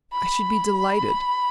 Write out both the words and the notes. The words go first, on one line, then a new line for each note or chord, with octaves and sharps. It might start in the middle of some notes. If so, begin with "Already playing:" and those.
"I should be delighted."
B5